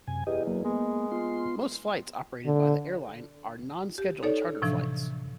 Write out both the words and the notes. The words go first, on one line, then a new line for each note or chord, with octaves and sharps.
Most flights operated by the airline are non-scheduled charter flights.
F#2 C3 G#5
E2 G4 D#5
F#3 A#3
G#3 A#3 B3
B3 F4 C6
D3
G4
D#4 A4 C#5 D5
A2 C3 E3 F3 D4